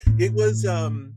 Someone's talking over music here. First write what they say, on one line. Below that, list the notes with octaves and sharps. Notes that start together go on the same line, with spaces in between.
It was, um
A2